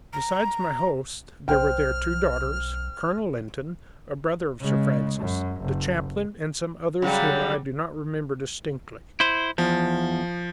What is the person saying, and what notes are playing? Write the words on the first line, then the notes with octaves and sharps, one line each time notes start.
Besides my hosts, there were their two daughters, Colonel Lynton, a brother of Sir Francis, the chaplain, and some others whom I do not remember distinctly.
A#5
B1 C5 G5 F6
C#3 G#3
F#2
F#1
C#3 F#3 G3
E4 C5
E2 F3